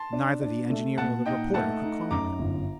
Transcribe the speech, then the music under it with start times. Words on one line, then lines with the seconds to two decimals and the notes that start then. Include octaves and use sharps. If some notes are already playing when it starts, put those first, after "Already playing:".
Neither the engineer nor the reporter could calm him.
Already playing: A5 C6
0.13 D4
0.42 D4
0.70 A3
0.98 A#2 F#5 A5
1.26 D#4 D#5 G5
1.54 A3 F#5 A5
1.83 D#4
2.10 F#2 A#5 D6
2.39 G1